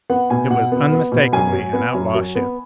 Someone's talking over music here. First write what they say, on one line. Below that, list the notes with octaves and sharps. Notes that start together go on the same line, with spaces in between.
It was unmistakably an outlaw ship.
B3 F#5
B2 G#5
B2 F#5
B3
B3
B2
F#2 G#5
F#3
B3
F#2
F#3
B3